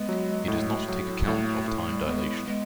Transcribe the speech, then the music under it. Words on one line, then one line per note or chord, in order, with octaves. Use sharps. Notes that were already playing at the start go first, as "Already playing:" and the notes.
It does not take account of time dilation.
Already playing: G#3 B3
F#3
A2
F#3
A2 G3
A#3
A3
A2
G3
G#3 B3
G#3 B3